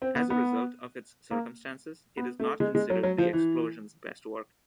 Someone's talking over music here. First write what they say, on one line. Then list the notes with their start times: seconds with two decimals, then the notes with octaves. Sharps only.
As a result of its circumstances, it is not considered The Explosion's best work.
0.02 C4
0.16 B3
0.30 B3
1.31 A#3
2.17 B3
2.40 A3
2.60 G#3
2.75 G#3
2.90 F#3
3.03 F#3
3.18 F3
3.33 E3